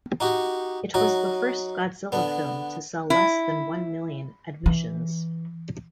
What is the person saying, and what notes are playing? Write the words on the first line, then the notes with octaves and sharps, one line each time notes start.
It was the first "Godzilla" film to sell less than one million admissions.
D#4 F#4 G4
F#3 D#4 F#4
D3 B3
E4
E3